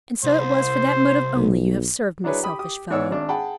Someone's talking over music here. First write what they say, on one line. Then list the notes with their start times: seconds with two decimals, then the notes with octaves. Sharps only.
"And so it was for that motive only you have served me; selfish fellow!"
0.24 C2 C5
1.36 B1
2.24 F#3 D4 E4 G#4 B4 C#5
2.43 G4 B5 D#6
2.59 G4 D#6
2.91 G#2 B3 C#5 D5 E6
3.11 G#1 D4
3.29 G#4 F#5 G5 A5 B5